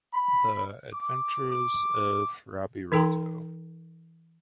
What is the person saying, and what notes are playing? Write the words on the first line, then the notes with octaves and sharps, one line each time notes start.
The Adventures of Robby Roto!
B5
D6
D6
E3 D#4 A4 G5 A#5 C6